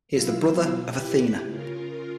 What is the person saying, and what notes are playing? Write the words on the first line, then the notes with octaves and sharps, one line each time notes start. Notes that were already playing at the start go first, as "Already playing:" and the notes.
He is the brother of Athena.
B2 F#3 E4 F4 F5 E6
E4 G4 B4
C#3 F4 A#4